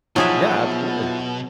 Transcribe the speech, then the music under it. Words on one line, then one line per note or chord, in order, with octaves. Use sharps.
Yeah, absolutely.
B2 F3 F#3 D#4 E4 G#4 E5